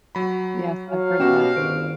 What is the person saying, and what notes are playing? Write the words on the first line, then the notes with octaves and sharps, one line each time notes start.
Yes, I've heard that.
F#3 B5
F#3 F5
B2 C#4 F#4 G4 C#5 G5 E7
G1 D#3 C5 D7